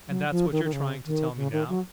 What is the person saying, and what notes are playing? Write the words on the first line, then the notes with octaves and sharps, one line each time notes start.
"And that's what you're trying to tell me now?"
F#3
F3
D#3
D#3
C#3
D#3
C#3
D#3
F#3